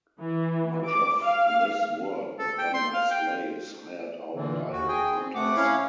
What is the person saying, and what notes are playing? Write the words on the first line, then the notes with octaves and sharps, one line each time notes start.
Much of this work was done by slaves hired out by planters.
E3
D6
F5
A4
G5
C6
F5
G5
A#2 D3 E3
D#2 F#4
G#4 G5 G#5
C4
C3 A3 F#5 D6
C#4 E4 C#5 F5